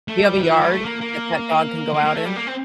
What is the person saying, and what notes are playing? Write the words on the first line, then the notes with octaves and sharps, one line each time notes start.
You have a yard that that dog can go out in?
A3
G3
E3
F3
G3
A3
A#3
A#3
A#3
A#3
A3
G3
A#3
C4